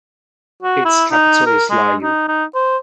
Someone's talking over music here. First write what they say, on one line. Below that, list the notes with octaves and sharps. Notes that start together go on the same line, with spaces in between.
Its capital is Layou.
F#4
E4
D#4
A#4
G#3
D#4
D#4
C5